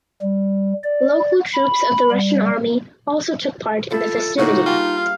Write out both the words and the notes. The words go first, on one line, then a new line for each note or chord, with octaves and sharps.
Local troops of the Russian army also took part in the festivity.
G3
D5
B5
G3
F3 E4 A4
A2 C#3 D4 D#4 F#4
G3 A#3 F4 G#4
F5